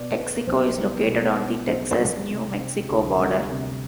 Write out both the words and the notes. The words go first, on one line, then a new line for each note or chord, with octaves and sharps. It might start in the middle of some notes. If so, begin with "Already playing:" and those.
Texico is located on the Texas-New Mexico border.
Already playing: B2 D5
B3
B1 C5
G3
B2
B3
B1 C5
G3
C3
C4
D2 G#4
G3
C3